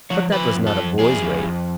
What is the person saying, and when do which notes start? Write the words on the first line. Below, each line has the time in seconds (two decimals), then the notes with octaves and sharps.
But that was not a boy's way.
0.10 F3 C#5
0.32 F3 B4
0.55 F2
0.66 A4
0.77 F2
0.99 F2 G#4
1.22 F2
1.44 F2